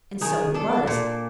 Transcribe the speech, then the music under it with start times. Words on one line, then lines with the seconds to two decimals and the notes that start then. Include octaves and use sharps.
And so it was.
0.21 D#3 G#4
0.54 D4 A4
0.87 A#2